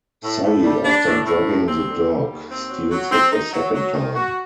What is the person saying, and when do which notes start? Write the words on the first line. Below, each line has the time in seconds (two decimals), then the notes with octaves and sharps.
Sully, after drugging the dog, steals it a second time.
0.23 A2
0.43 A2
0.63 G3
0.85 D4
1.05 A2
1.26 A2
1.47 D#2
1.67 C4
1.87 D3
2.08 G3
2.29 D#2
2.50 C4
2.70 F#3
2.91 F#3
3.11 C4
3.32 D#4
3.53 F#3
3.74 F#3
3.94 D#3
4.15 F#4